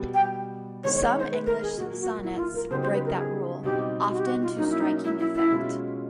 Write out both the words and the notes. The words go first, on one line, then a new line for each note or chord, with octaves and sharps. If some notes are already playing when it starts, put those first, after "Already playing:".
Some English sonnets break that rule, often to striking effect.
Already playing: B2 G3 B3
G5
D#3 G#3 B3 D#4 C#5
C#5
C#5
C5
B4
A#4
G#4
A#2 F#3 A#3 F#4
F#4
E4
E4
F4
A#4
C#3 F#3 B3 D#4 G4 C5
C5
B4
A#4
G#4
B2 G3 C4 D#4 G4
F#4
G4
F#4
F4
F#3 A#3 C#4 D#4
E4
D#4
E4
E4
E4
B2 G#3 C#4 F4